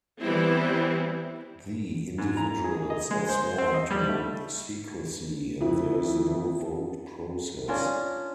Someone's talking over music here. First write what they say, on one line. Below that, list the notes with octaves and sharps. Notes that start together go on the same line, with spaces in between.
The individuals are sworn to secrecy and there is no vote process.
E3 G3 B3 C4 E4
G#2
A#5
G#4
D#5
G#3
C5
C4
D#5
G3
A3
F2 E4
C#4 D4 F4 A#4